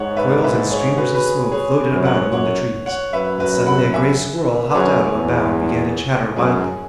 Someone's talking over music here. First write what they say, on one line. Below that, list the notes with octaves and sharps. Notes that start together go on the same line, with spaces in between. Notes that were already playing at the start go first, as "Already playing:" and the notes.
Coils and streamers of smoke floated about among the trees, and suddenly a gray squirrel hopped out on a bough and began to chatter wildly.
Already playing: G#2 C#5 F#5
B4 E5
B4 E5
G#4 C#5
F#4 B4
B4
G#4
G#4 C#5
F#2
C#5 F#5
F#2 C#5 F#5
C#5 F#5
F#2 B4 E5
F#4 B4
F#5 B5
E5 G#5
B4
F#2 G#4 C#5
E2
F#2 G#4